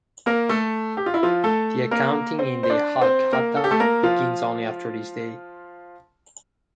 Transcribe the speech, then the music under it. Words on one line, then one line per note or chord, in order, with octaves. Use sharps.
The accounting in the "Halkhata" begins only after this day.
A#3 A#4
A3 A4
G4
F4
E4
F3 F4
A3 A4
A#3 A#4
C4 C5
C5
D4 D5
C4 C5
A#3 A#4
A4
G4
A3 A4
A#3 A#4
F3 F4